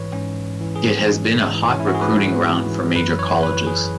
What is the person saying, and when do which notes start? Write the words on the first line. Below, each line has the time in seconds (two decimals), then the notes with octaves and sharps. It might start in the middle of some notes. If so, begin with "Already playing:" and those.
It has been a hot recruiting ground for major colleges.
Already playing: G#2 E3 B4 C#5
0.13 G#2 C#4
0.60 E3
0.76 G#4
1.07 G#2
1.55 E3
1.72 C#4
1.80 E4
1.87 F#4
1.95 G#4
2.01 G#2 B4
2.49 E3
2.96 F#2 B4
3.19 C#5
3.43 E3 B4
3.67 G#4